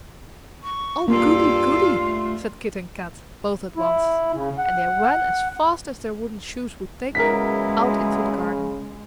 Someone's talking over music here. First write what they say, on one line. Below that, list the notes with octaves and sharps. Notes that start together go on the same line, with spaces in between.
"Oh, goody, goody!" said Kit and Kat, both at once; and they ran as fast as their wooden shoes would take them out into the garden.
C#6
G2 A#3 F4 A4
A3
E4
C#3
F#5
C#3 F#3 G#3 B3 E4 A#4 B6